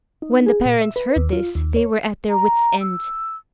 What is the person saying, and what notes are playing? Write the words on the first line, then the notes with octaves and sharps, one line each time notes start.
When the parents heard this, they were at their wits' end.
D#4
G#4
A#2
E5
B4
D#2
F4
D#2
C#5
A#5
E6